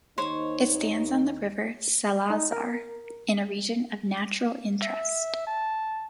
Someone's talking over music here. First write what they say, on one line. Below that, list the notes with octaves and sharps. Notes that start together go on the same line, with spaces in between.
It stands on the River Salazar in a region of natural interest.
D#2 D#4 C5 C#5
D#4
A#4
E5
A5